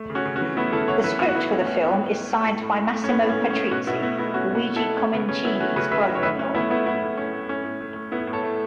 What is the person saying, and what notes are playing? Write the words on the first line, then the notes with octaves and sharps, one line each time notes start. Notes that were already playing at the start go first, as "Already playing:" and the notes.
The script for the film is signed by Massimo Patrizi, Luigi Comencini's brother-in-law.
Already playing: A3
C#3
C#4 F#4
C#3
C#4 F#4
E3
A3 B3 E4
C#3 E4 A4
C#3 C#5 F#5
E3 B4 E5
A2 B3 E4
F#4
A2 B3 E4
A3 C#4
A3 C#4
A2 B3
A2
A3
A3
A2
A2
A3
A3
C#4
A2 B3
A2
C#4
A3
C#4
A3
B2 C#4 F#4
B2 B3 E4
A3 B3 E4
A3 B3 E4
B2 C#4 F#4
B2 F#4 B4
A3
E4 A4
A3
A3 C#4
C#3 B3
C#3 C#4
F#3 B3 E4
A3 C#4 F#4
C#3 F#4 B4
C#3 B4 E5
F#3
C#5
A2 B4 E5
A2 C#4
A3 B3 E4
A3 B3 E4
A2 B3 E4
A2
A3 C#4
A3
A2 C#4
A2
A3
A3
A2 B3 E4
A2
A4 C#5
A3